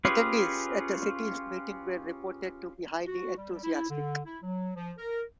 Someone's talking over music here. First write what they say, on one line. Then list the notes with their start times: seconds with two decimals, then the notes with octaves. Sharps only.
Attendees at the city's meeting were reported to be highly enthusiastic.
0.05 C#4 F4 G4 G#4 B4
3.07 F#4
3.37 G3
3.63 E4
3.90 D3
4.26 E4
4.43 F#3
4.76 F3
4.98 A#4